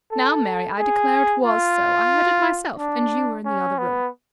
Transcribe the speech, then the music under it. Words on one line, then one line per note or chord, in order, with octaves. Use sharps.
Now Mary, I declare it was so, I heard it myself, and you were in the other room.
A4
G#4
F4
D4
C#4
B3